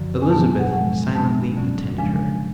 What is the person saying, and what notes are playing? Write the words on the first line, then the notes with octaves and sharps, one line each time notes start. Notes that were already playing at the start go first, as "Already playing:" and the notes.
Elizabeth silently attended her.
Already playing: F#2 D3 F3
G#5
B2 F#3 B3 D4 A5
G#5
F#5
A2 F3 G#3 F#5
B2 G#3 B3 D4 A5
F2 D3 F#3 C#4
C#3 F3 G#3 D4 G#5